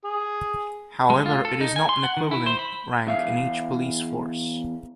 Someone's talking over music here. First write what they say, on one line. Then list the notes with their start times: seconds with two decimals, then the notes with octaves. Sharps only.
However, it is not an equivalent rank in each police force.
0.04 G#4
1.10 G#3
1.26 F4
1.45 A4
1.61 D#4
1.76 G#5
1.89 C6
2.04 F#5
2.17 D#3
2.31 E4
2.46 C5
2.59 B5
3.07 E2 E5 F5